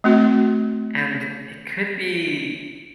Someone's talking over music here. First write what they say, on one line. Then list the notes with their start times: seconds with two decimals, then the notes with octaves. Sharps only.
and it could be
0.04 A3 C4 F#4